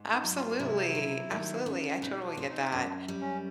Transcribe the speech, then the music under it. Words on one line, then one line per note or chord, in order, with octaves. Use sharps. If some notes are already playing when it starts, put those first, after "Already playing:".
Absolutely, absolutely, I totally get that.
Already playing: G#2
D#4
F#3
F4
C3 E4
F#3
D#3
C#4
B2 D#4
D4
C4
D#4
F#2 D4
G3
C#4